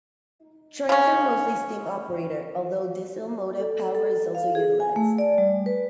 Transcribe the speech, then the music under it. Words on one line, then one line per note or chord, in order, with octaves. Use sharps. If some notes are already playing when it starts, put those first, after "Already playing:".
Trains are mostly steam-operated, although diesel motive power is also utilised.
C#3 C#4
A4
A4
F5
G#4
G#5
A3
D5
G3
B4